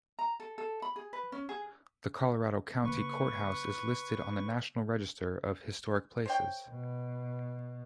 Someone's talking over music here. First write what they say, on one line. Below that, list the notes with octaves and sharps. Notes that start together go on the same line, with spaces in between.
The Colorado County Courthouse is listed on the National Register of Historic Places.
A#5
A4
A4
B5
G#4
B4
C#4
G#4
C#3 A#3 B4 C#6
C5 C#5 G5
B2